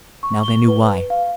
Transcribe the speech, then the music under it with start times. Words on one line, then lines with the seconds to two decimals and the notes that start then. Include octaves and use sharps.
Now they knew why.
0.23 C#6
0.43 G7
0.67 B4
1.10 F5